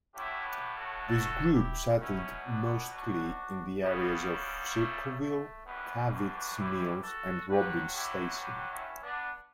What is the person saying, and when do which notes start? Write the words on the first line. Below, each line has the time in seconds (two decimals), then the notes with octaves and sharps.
This group settled mostly in the areas of Circleville, Cavitt's Mills and Robbin's Station.
0.15 A2 F#3 E4 G4
0.46 G4 B4
0.77 F#4 A4
1.07 F#4 A4
1.53 E4 G4
1.99 B2 F#3 C#4 E4
2.44 B3 D4
2.90 D4 F#4
3.82 F#2 C#3 G3 B3
4.29 B3
4.74 A3
5.20 A3
5.66 F#2 E3 G3 B3
6.12 D4 F#4
6.58 E4 G4
7.04 F#4 A4
7.49 G2 F#3 G4 B4
7.95 E4 G4
8.41 G4 B4
8.72 C#4 E4
9.02 B3 D4